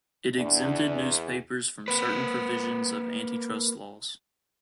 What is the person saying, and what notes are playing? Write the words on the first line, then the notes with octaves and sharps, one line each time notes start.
It exempted newspapers from certain provisions of antitrust laws.
E2 D4
A#3 B4